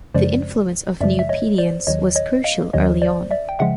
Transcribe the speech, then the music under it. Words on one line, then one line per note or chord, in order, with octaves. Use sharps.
The influence of Nupedians was crucial early on.
F#2 C#3 F3 G#3 C5 D5
F#2 C#3 F3 G#3 D5 E5
E5
C#5 D#5
C5 D5
D#2 D#3 F#3 C#5 D#5
C#5 D#5
D#5 F5
D#2 D#3 F#3 C#5 D#5
C5 D5
D5 E5
G5
C#3 F3 G#3 E5 F#5